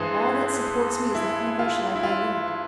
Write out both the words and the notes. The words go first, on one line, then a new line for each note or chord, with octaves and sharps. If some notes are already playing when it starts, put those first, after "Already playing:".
All that supports me is the feverish life I lead.
Already playing: G2 E3 G#3 G#4 C5
E4
F4
E4
F4